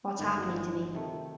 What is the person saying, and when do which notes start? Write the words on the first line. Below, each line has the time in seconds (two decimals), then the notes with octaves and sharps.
What's happening to me?
0.19 G1 G2 D#3 A3 D#4
0.37 F#4
0.93 C3 D#3 A3